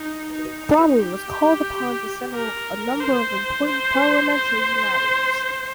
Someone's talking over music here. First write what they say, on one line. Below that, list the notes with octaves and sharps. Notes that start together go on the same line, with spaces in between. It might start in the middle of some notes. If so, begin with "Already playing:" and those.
Bromley was called upon to settle a number of important parliamentary matters.
Already playing: D#4
D#4
G4
A#4
C5
C5
C5